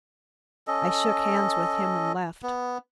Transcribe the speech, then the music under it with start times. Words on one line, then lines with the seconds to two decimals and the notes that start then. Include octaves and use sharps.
I shook hands with him and left.
0.68 C#4 A4 D#5
2.43 B3